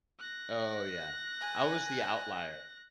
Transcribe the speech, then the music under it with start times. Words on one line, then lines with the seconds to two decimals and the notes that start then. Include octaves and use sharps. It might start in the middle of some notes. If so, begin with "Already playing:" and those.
Oh, yeah, I was the outlier.
0.19 F#6 A#6
1.41 G#5